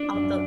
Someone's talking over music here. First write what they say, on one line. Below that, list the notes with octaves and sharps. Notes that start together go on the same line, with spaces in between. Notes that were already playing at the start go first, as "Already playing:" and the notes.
Off the
Already playing: D4
F#2